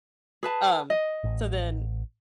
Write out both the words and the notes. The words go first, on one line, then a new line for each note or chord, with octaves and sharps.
Um, so, then,
G#4 B4 A5
D#5
A1